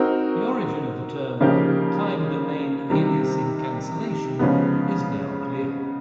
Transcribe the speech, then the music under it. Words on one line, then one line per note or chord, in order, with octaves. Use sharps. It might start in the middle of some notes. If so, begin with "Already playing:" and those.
The origin of the term "time-domain aliasing cancellation" is now clear.
Already playing: C4 D#4 F#4 A#4
C#3 F3 A#3 D#4 G4
C3 D#3 G3
C#3 F3 G#3 B3